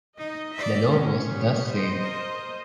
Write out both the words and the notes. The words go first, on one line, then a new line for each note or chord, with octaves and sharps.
The law was thus saved.
D#4 D#5
D5 E5
D3 C#4
G3 B3
C5 D#5
A#4